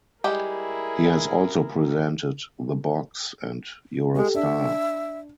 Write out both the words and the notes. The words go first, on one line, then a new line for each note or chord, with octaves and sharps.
He has also presented "The Box" and "You're a Star".
G3 G#3 E4 G4 G#4 A#4 G5
G#3 G4 A4
D4 E5